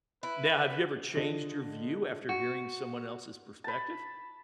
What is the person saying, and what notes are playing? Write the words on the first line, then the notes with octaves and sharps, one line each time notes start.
Now, have you ever changed your view after hearing someone else's perspective?
E4 B4
D3 F4 D#5 A#6
F#4
A5 B5